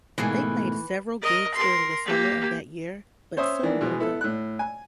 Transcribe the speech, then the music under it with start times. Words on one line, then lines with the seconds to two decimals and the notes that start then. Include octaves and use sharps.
They played several gigs during the summer of that year, but soon broke up.
0.18 G#2 B2 E3 A3 A#3 G#4
1.22 A#4 D#5
1.54 A#4 C6
2.06 A#3 G4
3.37 C#4 C5 C#5 E5 D#6
3.63 D#3 E3 D4
3.81 B2 E3 G#3
4.00 B3 E4 A4
4.21 A2 F#6
4.59 G#5